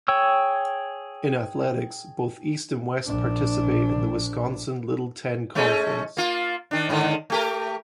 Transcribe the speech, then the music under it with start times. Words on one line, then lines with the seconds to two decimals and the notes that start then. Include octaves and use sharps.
In athletics, both East and West participate in the Wisconsin Little Ten Conference.
0.08 G#4 C#5 G5 C#6 E6
3.06 A#1 D4
5.55 G#3 A3 C#4
6.17 A#3 F4
6.71 D#3 D4
6.89 G#2 D3 D#3
7.30 A3 G4 A#4